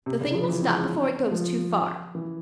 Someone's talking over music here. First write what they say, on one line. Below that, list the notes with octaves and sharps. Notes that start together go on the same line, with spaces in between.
The thing must stop before it goes too far.'
C3
C#3
F3
E3
C4
G#3
F3
E3